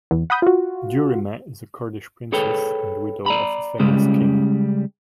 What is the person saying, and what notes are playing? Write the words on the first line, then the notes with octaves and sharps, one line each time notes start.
Durimeh is a Kurdish princess and widow of a famous king.
E2
F#5 B5 D#6 G6
F4 F#4
G#4 A4 B4 C#5 G5
D5 A#5 B5
C#3 G3 G#3 C#4